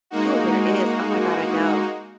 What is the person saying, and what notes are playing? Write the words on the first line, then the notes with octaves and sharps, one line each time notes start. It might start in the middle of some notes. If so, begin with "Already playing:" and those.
Oh, there is oh my god, I know.
G#3 A#3 D#4 F#4